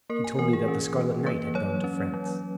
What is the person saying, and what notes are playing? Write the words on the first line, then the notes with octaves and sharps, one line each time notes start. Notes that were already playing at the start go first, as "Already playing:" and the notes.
"He told me that the Scarlet Knight had gone to France."
A#3 A#4
G#5
E3 A#4
G#4
C#4
E3
A#3 B4
F#3 C#5
C#4
F#3